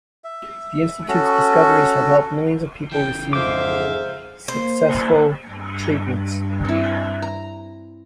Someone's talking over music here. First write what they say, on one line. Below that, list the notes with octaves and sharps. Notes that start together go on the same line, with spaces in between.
The Institute's discoveries have helped millions of people receive successful treatments.
E5
C#4 F#4 A4
C#3 E3 G5
F2 G#2 C5 E5 F5 D6
A#3 C5
G2
C4 E4
A#5